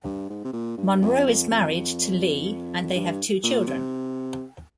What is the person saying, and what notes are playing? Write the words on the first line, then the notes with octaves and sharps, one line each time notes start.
Munro is married to Lea and they have two children.
G2
G#2
C3
A#2
G2
F2
F2
F2
G2
A#2
C3